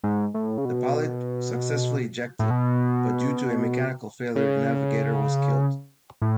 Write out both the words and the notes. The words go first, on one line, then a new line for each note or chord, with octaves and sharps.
The pilot successfully ejected, but due to a mechanical failure the navigator was killed.
G#2
A2
C#3
B2
A2
B2
C#3
A2